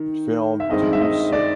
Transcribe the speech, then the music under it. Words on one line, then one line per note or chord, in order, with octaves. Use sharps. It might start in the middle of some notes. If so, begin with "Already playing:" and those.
It failed to do so.
Already playing: D#3
E5
G2 D#3 G#3 C4 D#5
E5
D#5
D5